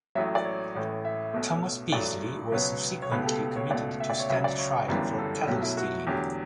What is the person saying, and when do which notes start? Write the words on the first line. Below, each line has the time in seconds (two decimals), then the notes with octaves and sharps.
Thomas Peisley was subsequently committed to stand trial for cattle stealing.
0.15 A1 A2 F#3 E5
0.35 D5
0.45 C#5
0.75 A1 A2 E3
1.05 E5
1.33 B1 B2 A3
1.92 A1 G2 F#3 A3 D5
2.52 C#2 B2 F#3 B3 C#5
3.02 C#5
3.11 C#2 B2 A3 B4
3.22 G4
3.26 A4
3.56 C#5
3.70 C#2 B2 A3 D5
4.00 E5
4.10 D5
4.19 C#5
4.29 C#2 C#3 F#3 E5
4.44 D5
4.59 C#5
4.88 G1 F#2 E3 G3 B3
5.18 A4
5.47 B1 B2 F#3 A3 G4
5.62 E4
5.77 F#4
6.07 E2 D3 F#3 A3 G4